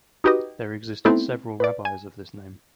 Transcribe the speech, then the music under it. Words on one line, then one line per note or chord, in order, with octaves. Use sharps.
There existed several rabbis of this name.
D#4 F#4 G4 B4 D#5
A3 B3 C4 D#4 E4 A4
B4 D5
G#5